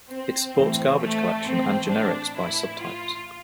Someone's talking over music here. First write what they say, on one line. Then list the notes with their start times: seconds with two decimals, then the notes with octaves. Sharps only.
It supports garbage collection and generics by subtypes.
0.09 C4
0.55 A2 E3
0.99 A3
1.45 A2 E3 C4
1.89 D4
2.35 A2 E3 E4
2.79 F4